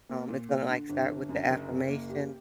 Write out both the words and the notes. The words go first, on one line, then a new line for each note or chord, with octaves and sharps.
um, is gonna, like, start with the affirmations,
A#3
A#2
A#2
D3
G1
G1
F#2
F#1
F#1
A#3
G4